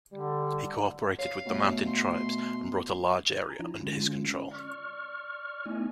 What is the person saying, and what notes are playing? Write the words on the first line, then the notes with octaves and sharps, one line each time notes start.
He cooperated with the mountain tribes and brought a large area under his control.
D3 G3
C#5 F5
B2 A3
C6
G#5 A#5
F3 D4 E4 F4
D3 G#3 C#4 F4
C#4
D5 C#6 F6
A3 B3 D#4 E4 D#5 G#5